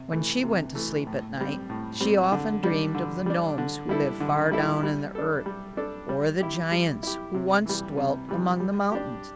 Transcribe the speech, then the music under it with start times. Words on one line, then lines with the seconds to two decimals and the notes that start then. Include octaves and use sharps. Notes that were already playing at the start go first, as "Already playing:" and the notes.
When she went to sleep at night, she often dreamed of the gnomes who live far down in the earth, or the giants who once dwelt among the mountains.
Already playing: C3
0.12 E3 A3
0.43 C3
0.75 E3 A3
1.07 A2
1.38 G3 C4
1.70 A2
2.00 G3 C4
2.32 D3
2.64 G3 D4
2.95 D3
3.26 G3 D4
3.58 D3
3.89 G3 E4 A4
4.20 D3
4.51 G3 E4 A4
4.83 G3
5.15 D4 A4
5.46 G3
5.77 D4 A4
6.09 G3
6.40 E4 G4
6.71 G3
7.03 E4 G4
7.34 C3
7.66 E3 G3
7.97 C3
8.29 E3 G3
8.60 G3
8.92 D4 G4